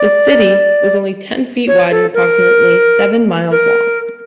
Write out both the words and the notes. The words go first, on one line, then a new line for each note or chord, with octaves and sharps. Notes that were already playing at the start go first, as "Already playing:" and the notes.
The "city" was only ten feet wide and approximately seven miles long.
Already playing: D5
C#5
A4
A#4
A#4